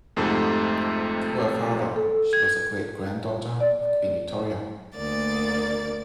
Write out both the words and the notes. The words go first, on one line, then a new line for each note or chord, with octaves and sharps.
Through her father, she was a great-granddaughter of Queen Victoria.
F2 G#2 C3 A3 A4
A4
G#6
D5
D2 A#3 D5 A6